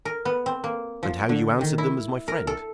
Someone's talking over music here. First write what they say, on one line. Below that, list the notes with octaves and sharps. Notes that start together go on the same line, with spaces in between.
"And how you answered them as my friend."
A#4
B3
C4
A#3
F3
D3
D#3
E4
A#4
A4